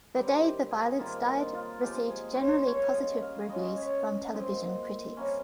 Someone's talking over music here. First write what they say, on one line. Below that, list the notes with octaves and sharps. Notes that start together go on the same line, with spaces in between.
"The Day the Violence Died" received generally positive reviews from television critics.
D#3 G3 C4 G4
G4
G#4
C3 D#3 G3 A#3 F4
D#4
F4
F3 G#3 C4 G4
G#4
C5 C#5
C#3 G3 C#4 C#5
F5
D#5
F5
C#3 G#3 C#4 D#5
C#5
A#2 F3 C4 D#5
C3 G3 A#3 C#4